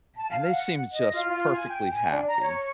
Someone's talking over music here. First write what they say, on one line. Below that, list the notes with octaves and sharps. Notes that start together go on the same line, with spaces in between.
and they seemed just perfectly happy
A5
F5
F#5
D#5
F4
F4
G#5
G5
G#5
D4
A#5
C#5